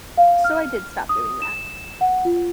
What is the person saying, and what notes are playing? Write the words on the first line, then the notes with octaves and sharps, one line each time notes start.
So, I did stop doing that.
F5
F6
D#6
E7
F#5
F4